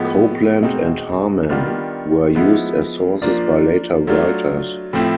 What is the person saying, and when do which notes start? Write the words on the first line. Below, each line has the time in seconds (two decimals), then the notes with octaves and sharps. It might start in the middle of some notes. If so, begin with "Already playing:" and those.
Copland and Harman were used as sources by later writers.
Already playing: A2 F3 G#3 B3
0.63 B2 G#3 C4 D#4
1.49 D#3 G3 B3 D4 F4
2.35 F3 G#3 B3 E4
3.22 F3 A#3 D4 F4
4.07 F#3 A3 D4 F4
4.93 A2 F3 A3 C4 E4